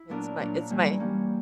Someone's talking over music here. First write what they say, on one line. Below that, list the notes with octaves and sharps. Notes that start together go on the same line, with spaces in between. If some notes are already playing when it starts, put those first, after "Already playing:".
It's my it's my
Already playing: E4
A#2 F#3 B3 D4 A#4
A#2 F#3 B3 D4 A#4
E3 G3 A#3 C#4
E3 G3 A#3 C#4